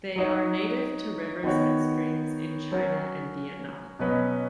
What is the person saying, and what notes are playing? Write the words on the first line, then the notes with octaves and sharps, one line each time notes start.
They are native to rivers and streams in China and Vietnam.
F#3 D#4 F#4 C#5
D#3 B3 F#4 C#5
F#3 C#4 F#4
B2 F#3 C#4 B4 D#5